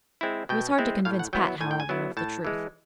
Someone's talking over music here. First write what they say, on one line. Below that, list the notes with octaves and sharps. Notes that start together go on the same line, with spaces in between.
It was hard to convince Pat, however, of the truth.
G#3 C4 E4
B2 G5
G#3 C4 E4
A2 F5
F#5
F#3 B3 E4 G5
A2 G#5
G5
G#5
F#3 B3 E4
A2 A5
E3 G#3